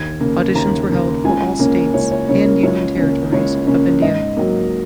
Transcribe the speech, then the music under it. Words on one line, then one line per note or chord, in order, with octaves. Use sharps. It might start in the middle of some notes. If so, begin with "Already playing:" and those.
Auditions were held for all states and union territories of India.
Already playing: D#2 G#6
C#3 A#3
D#2 A#5
C#3 A#3
C#2 G#5
C#3 A#3 C#4
C#2 C#5
C#5
C#3 A#3 C#4 C#5
A#4
C#2 C#5
C#3 A#3 C#4
C#2 C#5
C#3 A#3 C#4
G#2 D#5
F#3 A#3